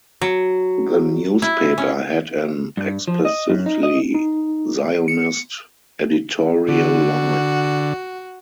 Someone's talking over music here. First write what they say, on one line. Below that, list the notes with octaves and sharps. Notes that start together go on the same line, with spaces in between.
The newspaper had an explicitly Zionist editorial line.
F#3
E4
C#4
G2
F3
D#5
F#2
D#4
D#5
D#4
C#7
D3 F#4